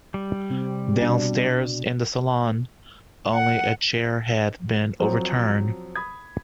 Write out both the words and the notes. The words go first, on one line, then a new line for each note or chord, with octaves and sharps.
Downstairs, in the salon, only a chair had been overturned.
G3
C3 C4
B2 D4
F#5
F3 F#3 C4
B5 D#6 G#6